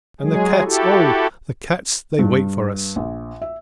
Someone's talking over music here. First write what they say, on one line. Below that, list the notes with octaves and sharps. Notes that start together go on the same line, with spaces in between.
And the cats--oh, the cats they wait for us!
F#3 G#3 G#4
E4 F#4 G4 A4
G2
A#1
E5